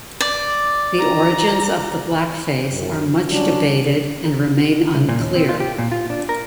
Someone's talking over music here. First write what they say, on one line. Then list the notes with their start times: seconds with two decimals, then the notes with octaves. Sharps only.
The origins of the blackface are much debated and remain unclear.
0.21 D5
0.98 A#5
2.71 F#2
3.30 F#3 G3 C#4 D4
4.95 C2
5.09 A#2
5.20 D#2
5.36 C4
5.49 F4
5.60 G4
5.78 A#2
5.92 F4
6.10 D4
6.29 A#4